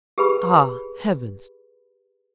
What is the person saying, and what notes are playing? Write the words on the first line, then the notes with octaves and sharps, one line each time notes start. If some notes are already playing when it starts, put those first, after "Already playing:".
'Ah, heavens!
G4 G#4 B4 B5